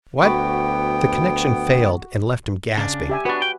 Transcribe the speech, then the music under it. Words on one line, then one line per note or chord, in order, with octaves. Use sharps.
What!!--' The connection failed and left him gasping.
D2 B3 F#4 G5 B5 D6
C#3 D4
G4 E5 G#5
B3 D4 F#4 B4
G5